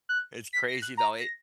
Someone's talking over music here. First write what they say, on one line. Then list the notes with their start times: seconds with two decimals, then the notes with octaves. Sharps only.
It's crazy though, it
0.09 F#6
0.53 B6
0.68 A#6
0.82 F#6
0.97 A#5
1.20 A#6